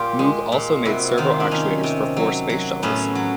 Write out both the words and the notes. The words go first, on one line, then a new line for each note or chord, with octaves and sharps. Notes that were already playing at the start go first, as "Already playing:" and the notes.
Moog also made servo-actuators for four Space Shuttles.
Already playing: A#2 F4 G4
G#3
A#2
C3 E4 F#4
F#4
D#3 D#4 F4
D4
D#3 C#4 D#4
C3
F#3
F#3
A2 B3 C#4
F#3